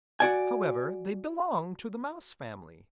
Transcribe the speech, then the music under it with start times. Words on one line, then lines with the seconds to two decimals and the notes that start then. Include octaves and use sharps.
However, they belong to the Mouse family.
0.20 F#4 D5 G#5